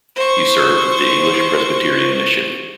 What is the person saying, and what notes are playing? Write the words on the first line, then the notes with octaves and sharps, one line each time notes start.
He served with the English Presbyterian Mission.
C5 C#6